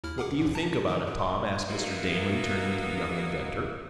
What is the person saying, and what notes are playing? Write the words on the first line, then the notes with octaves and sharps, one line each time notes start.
"What do you think about it, Tom?" asked Mr. Damon, turning to the young inventor.
D#2 E4 F6
G#4 F#5 D6
D#2 A#2
A5 A#5
D#3 F3
A2
F#3 A#3 B3 D#4 E4 F#4